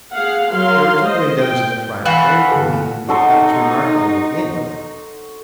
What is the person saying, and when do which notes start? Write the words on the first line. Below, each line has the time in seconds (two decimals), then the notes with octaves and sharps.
There were two windows in the front, very clean, and that was remarkable to begin with.
0.13 G#4 F5 F#5
0.51 F#3 A#4 F5 C6
1.01 C5 D#5
1.40 G5
2.06 E3 F4 F#4 B4 F#5 G5 F#6
2.51 G1 A4
3.08 D#4 F#4 A4 C6